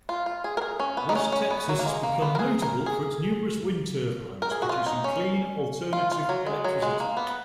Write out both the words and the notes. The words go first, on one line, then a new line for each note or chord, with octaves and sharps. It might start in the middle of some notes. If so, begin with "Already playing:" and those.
West Texas has become notable for its numerous wind turbines producing clean, alternative electricity.
F4
F4
G#4
A#4
G#4
C#4
B3
D#4
C#4
C#4
B3
F#3
A#3
G#3
A#3
B3
A#4
G#4
A#4
G#4
A#4
G#4
F#4
F4
D#4
C#4
F4
F4
F#3
G#3
F#3
G#3
A#3
B3